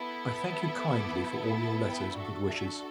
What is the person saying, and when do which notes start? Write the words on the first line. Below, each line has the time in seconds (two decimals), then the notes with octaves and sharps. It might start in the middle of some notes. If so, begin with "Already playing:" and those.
I thank you kindly for all your letters and good wishes.
Already playing: B3 E4 A4
0.98 D6
1.59 A5
1.88 G5
2.19 D4 F#4 A4 E5
2.49 E5